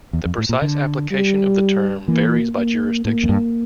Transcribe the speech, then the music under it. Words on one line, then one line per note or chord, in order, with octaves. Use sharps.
The precise application of the term varies by jurisdiction.
E2
F2
A2
A#2
D3
G3
E3 A#3
A#3
A2 A#3
F2
G2